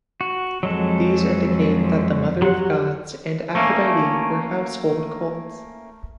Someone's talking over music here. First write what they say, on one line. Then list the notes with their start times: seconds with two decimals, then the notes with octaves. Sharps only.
These indicate that the Mother of Gods and Aphrodite were household cults.
0.21 F#4
0.63 F2 F#3 G#3 A4
2.42 F#3 G4 F#5
3.55 A3 A#3 C#4